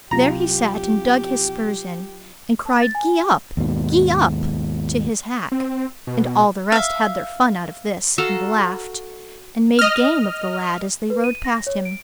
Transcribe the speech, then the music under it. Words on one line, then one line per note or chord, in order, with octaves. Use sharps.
There he sat and dug his spurs in, and cried, "Gee up! gee up!" to his hack. And all the rest had their fun out of this, and laughed, and made game of the lad as they rode past him.
C2 F#3 F4 G4 A#5 F7
A5
A6
G#5
D#2 G#2 B2
C4
B2
E5 F5
F#4 A4 F5 A#5
D#5 F6
B4
D#7
A#6
C#5
D7